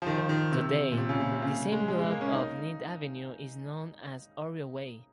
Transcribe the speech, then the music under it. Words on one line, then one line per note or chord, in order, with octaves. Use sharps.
Today, this same block of Ninth Avenue is known as Oreo Way.
F3
D#3
F3
D#3
C3
A#2
C3
C#3
A#2
C3
C#3
G#3
G#3
G#3
A#3
C#4
D#4